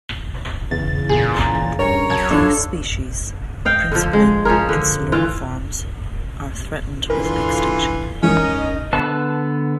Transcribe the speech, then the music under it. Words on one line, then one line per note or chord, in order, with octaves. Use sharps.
A few species, principally insular forms, are threatened with extinction.
E2 C#3 A6
A#2 G#4
G2 C#4 A#4 C#5
F#2 A5 G#6
D#2 D4 F4 A4 C#5
D#5 F5 G5
D3 F3
G#3
F3 C#4 G#4 A#4
D3
E3 F4
D3 E3 F4 A#4 C6
E3 F3 G#3 C#4 D#4 A#4 D#5
D3 B3 B4 A5